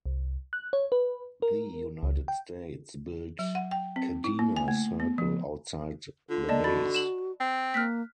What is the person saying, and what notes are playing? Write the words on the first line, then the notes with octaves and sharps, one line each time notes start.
The United States built Kadena Circle outside the base.
C2
F#6
C#5
B4
A#4
C#2
G5
F#3
F#5
G5
C4
E4
A#3
G#5
A3
B3
F3
D3 F4
A#3 D5 D#5 A5
F#4 B5 A6
E7 F#7
C4
A#3 F6 F#6 B6